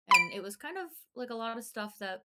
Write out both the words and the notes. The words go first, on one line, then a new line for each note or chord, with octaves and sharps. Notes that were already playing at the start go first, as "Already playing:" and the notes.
and it was kind of, like a lot of stuff that,
B5 D7